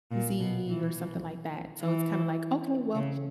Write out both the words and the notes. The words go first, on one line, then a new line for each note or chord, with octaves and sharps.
X Z or something like that, so it's kinda like, "Okay, well,
A#2
B2
E3
E3
C#3